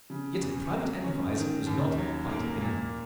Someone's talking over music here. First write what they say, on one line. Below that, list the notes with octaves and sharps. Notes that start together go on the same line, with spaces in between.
Yet private enterprise was not quite benumbed.
C#3
E2
F#3
C#4
D#3
D#2
F#3
A#3
A#2